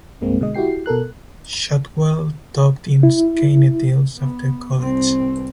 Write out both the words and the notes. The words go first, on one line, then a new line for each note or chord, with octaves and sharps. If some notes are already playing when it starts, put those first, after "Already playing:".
Shotwell taught in Skaneateles after college.
C2 G2 G#3 A#3 C4
B2 D3 G#3 D#5
E4 F#4 G4 G5 C7
B2 A4 A#4 F#6
E4
B3
C2 C4